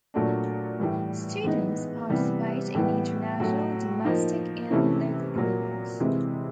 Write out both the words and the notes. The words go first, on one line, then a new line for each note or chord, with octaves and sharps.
Students participate in international, domestic, and local programs.
A#2 F#3 A3 D4
A2 E3 G3
E3 G#3 B3 D#4
C3 E3 G3 B3
A2 E3 G3 B3
A2 F#3 A3
F3 A#3 D#4
C3 E3 A3 C#4 E4
A#2 F#3 A#3
C3 E3 G#3 C4 E4